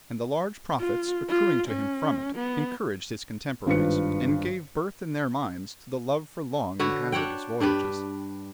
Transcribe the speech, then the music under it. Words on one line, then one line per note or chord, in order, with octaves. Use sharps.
And the large profits accruing to him from it, encouraged his contemporaries, and gave birth in their minds to the love for long and hazardous voyages.
F4
F4
C#4
B3
G#1 G2 F4 B4 C#7
D3 F#4 B4 C#5
D4 C#5 F#5 G5
G2 D4 G4 B4